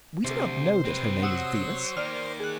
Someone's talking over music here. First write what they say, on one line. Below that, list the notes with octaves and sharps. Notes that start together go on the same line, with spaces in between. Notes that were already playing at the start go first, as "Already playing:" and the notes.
We do not know that her name is Venus.
D2 C3 C5
C4 B4
F#3 F#5 D#6 E6
D#3 A#3 D5 F6
G#4 F#6